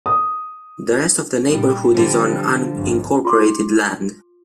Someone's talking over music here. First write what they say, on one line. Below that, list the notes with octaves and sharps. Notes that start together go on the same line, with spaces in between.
The rest of the neighborhood is on unincorporated land.
D#6
A#2 G3
D3 F3 G3
G1 F2
F4 C6 D6